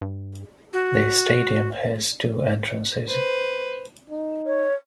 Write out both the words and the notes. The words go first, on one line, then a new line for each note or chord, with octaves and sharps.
The stadium has two entrances.
G2
F#4
B4 C5
D#4
C#5